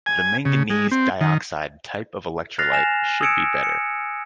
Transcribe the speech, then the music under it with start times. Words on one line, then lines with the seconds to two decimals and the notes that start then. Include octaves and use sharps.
The manganese dioxide type of electrolyte should be better.
0.06 G#5
0.45 C#3
0.70 G#3
0.91 C4
1.21 D#3
2.59 F6 F#6 A6 A#6 C7 F7
2.72 G#5 A#6 E7 F7
3.21 D#6 E6 G#6 C#7 D7 E7
3.63 C#7